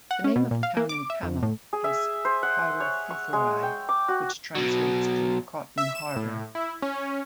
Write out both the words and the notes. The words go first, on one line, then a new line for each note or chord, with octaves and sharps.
The name of the town in Tamil is 'Paruthithurai', which translates to 'Cotton Harbour'.
F#5
C#4
B2
A#2
F5
A#3
D6
E5
F2
A2
G#4
E5
C5
F#5
C#5
C#6
G#3
G5
D6
F#4
B2 F#3
E5
E7
A2
E4
C#4